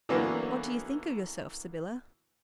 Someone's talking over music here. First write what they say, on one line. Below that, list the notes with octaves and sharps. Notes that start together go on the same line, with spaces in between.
"What do you think of yourself, Sybylla?"
D3 E3 F#3 A#3 B3